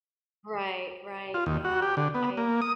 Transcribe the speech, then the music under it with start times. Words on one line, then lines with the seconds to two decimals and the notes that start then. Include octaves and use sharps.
Right, right, yeah, I
1.34 F4
1.46 D#2
1.65 F#4
1.82 G4
1.97 D3
2.15 B3
2.37 A#3
2.62 D#6